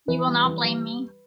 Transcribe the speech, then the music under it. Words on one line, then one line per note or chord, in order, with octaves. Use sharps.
You will not blame me.
E3 B4
G3
E3
G3